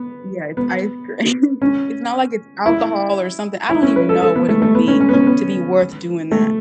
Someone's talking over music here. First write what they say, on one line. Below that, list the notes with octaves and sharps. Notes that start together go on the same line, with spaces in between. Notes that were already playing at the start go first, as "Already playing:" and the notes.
Yeah, it's cream, it's not like it's alcohol or something, I don't even know what it would be to be worth doing that.
Already playing: B3
B3
C#4
E4
E4
C#4
B4
A4
A4
B3
A3
A3
B3
C#4
C#4
B3
C#4
B3
A3